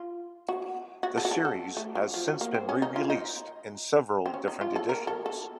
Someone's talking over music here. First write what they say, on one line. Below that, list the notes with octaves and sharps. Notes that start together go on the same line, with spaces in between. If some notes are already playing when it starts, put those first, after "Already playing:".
The series has since been re-released in several different editions.
Already playing: F4
F#4
F#4
A4
F#4
A4
A4
A3
F#3
F3
F#3
A#3
C4
C#4
D#4
F4
D#4
C4
C#4
D#4
F4
A4
A#4
A4
A4